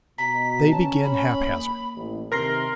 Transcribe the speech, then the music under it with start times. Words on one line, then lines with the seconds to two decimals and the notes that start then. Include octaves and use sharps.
They begin haphazard.
0.18 B2 A#5 B6
0.71 C#4 A5
1.03 B5
1.41 A#3
1.96 A1 A2
2.32 C3 D#3 A#4 C6 A#6 C7